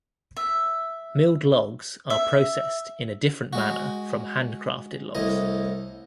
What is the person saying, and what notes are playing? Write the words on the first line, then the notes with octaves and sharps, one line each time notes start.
Milled logs are processed in a different manner from handcrafted logs.
E5
E5
G#3 F#4
C2 A2 D#5